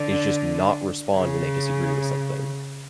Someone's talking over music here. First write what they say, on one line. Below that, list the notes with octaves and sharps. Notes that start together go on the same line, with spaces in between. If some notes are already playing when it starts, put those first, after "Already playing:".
is just not respond when they disagree with something.
Already playing: D3
C#3